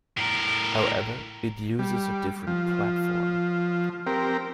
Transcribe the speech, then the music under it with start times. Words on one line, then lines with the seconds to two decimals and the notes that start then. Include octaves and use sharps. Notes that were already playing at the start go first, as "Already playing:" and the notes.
However, it uses a different platform.
0.17 A2 A#4
1.79 G3
2.47 F3
4.07 C4 G4 A#4